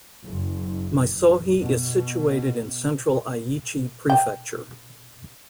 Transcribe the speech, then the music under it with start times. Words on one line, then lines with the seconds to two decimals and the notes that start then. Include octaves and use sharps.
Miysohi is situated in central Aichi Prefecture.
0.25 F#1
1.60 B2
4.10 G5